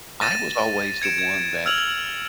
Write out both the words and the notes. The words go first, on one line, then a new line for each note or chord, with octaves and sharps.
I was always the one that
A6 A#6 D#7 E7
G#6 C#7 D7 E7
G#6 E7
E6 F6 G#6 F7 F#7